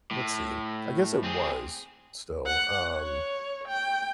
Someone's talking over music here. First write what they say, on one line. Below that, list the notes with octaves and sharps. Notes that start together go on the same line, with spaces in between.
let's see, I guess it was still, um
A2
C4 G#4
F#5
C#5
G5